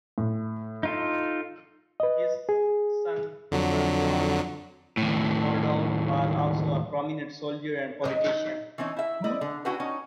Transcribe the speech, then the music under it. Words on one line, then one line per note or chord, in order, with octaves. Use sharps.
His son Sir John Mordaunt was also a prominent soldier and politician.
A2
D#4 F4 A4
B4 D#5
G#4
F2 D3 F#3
D#2 A2
D#4
E3 C4 C#4 D#4
E4 E5
E4 D5 D#5
D3
C#4 D4 E4 F#4 G4 B4
C#4 D#4 C#5